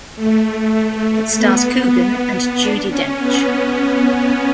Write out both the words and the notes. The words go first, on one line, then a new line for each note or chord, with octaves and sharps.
It stars Coogan and Judi Dench.
A3
B3
B3
D4
C#4
B3